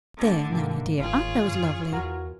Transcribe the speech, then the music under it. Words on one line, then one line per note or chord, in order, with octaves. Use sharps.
There, Nannie dear, aren't those lovely?
A2 D3
G#2 C3 D#3 A#3
F#1 F4 G#4 C#5
F#2
E2 E3 F#4 A#4